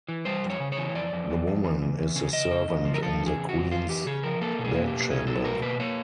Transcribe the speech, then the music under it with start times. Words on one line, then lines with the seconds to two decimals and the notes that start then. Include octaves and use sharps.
The woman is a servant in the queen's bedchamber.
0.09 E3
0.25 G3 C5
0.44 F2
0.50 C#5
0.60 C#3
0.72 C#5
0.77 E3
0.95 F2 D5
1.13 F2
1.30 F2
1.47 F2
1.64 E2
1.82 E2
1.99 E2
2.16 C#3
2.33 C#3 D#5
2.51 C#3
2.68 E2
2.85 F3
2.94 A#4
3.02 F3 A4
3.20 E2
3.26 G#4
3.37 C#3
3.49 F#4
3.55 E2
3.71 E2 F4
3.89 E2 G4
4.06 C#3 G#4
4.23 F3 A#4
4.41 A#3 A4
4.59 B2
4.64 G#4
4.76 A#3
4.87 G4
4.93 B2
5.10 B2 G#4
5.27 F#3 A4
5.45 B2 A#4
5.62 A#3 B4
5.80 A#3 C#5